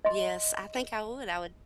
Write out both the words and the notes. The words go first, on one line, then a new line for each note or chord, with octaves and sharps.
Yes, I think I would I would
D#5 C6